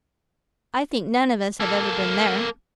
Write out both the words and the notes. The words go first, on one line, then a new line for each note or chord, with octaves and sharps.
I think none of us have ever been there.'
A#3 A4